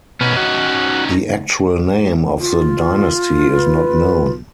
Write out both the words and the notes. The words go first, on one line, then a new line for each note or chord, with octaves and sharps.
The actual name of the dynasty is not known.
B2 C#4 D#4
F#4
F4
B4